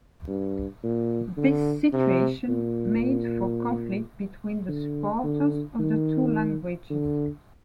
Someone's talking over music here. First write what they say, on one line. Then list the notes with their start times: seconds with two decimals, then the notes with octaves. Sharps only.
This situation made for conflict between the supporters of the two languages.
0.28 G2
0.83 A#2
1.37 D3
1.92 C3
2.48 A#2
4.69 D3
5.23 D3
5.79 D#3
6.90 D3